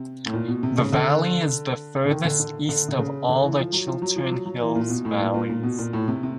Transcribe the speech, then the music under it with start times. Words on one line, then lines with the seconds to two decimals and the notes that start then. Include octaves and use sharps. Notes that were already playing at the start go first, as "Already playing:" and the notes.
The Valley is the furthest east of all the Chiltern Hills valleys.
Already playing: C3
0.26 A2
0.33 A#2
0.48 B2
0.63 C3
0.78 C#3
0.93 D3
2.05 D3
2.10 D#3
2.25 D3
2.40 D3
2.69 D3
2.89 D3
2.99 C#3
3.29 D3
3.43 E3
3.58 F3
3.73 F#3
3.87 F3
4.02 F#3
4.16 F3
4.31 F#3
4.46 F#3
4.61 E3
4.76 A#2
4.90 B2
5.05 A2
5.20 A#2
5.34 A#2
5.49 A#2
5.63 B2
5.79 A#2
5.93 A2
6.08 C3
6.23 C3